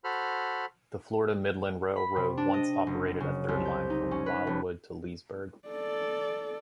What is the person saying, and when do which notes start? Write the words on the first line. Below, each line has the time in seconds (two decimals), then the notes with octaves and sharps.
The Florida Midland Railroad once operated a third line from Wildwood to Leesburg.
0.04 F#4 A4 C5 B5 F6
1.96 B5
2.16 C3
2.37 D4
2.54 D#5
2.87 F#1
3.20 C#3
3.48 C2
3.65 G6
3.90 D#4
4.11 C#4
4.26 B4
4.47 F1
5.68 A4 D5